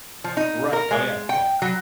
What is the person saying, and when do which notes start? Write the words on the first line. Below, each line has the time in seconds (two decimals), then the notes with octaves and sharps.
Right, oh yeah, yeah.
0.24 F3
0.37 D#4
0.73 A#4
0.91 G#3
1.29 G5
1.62 F#3